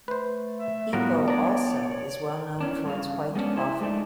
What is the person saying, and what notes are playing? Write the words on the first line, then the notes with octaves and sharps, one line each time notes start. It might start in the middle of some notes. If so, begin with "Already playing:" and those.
Ipoh also is well known for its white coffee.
A3 B4 C5
E5
A2 G3 B3 F4 F#4 A#4
D4 C#5 D5 A#5
E3 C#4 D4
G2 C#3 F5
G#3 B3 C#4 D4
E4 C5
G#3 A3 D4 D#4